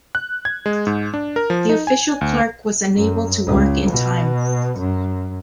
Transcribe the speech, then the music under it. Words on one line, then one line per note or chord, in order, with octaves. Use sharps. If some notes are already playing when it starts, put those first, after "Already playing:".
The official clerk was unable to work in time.
F#6
G#6
G#3
G#2
D4
A#4
F3
D#4
G#5
D2
F#2
C#2
B2
F#2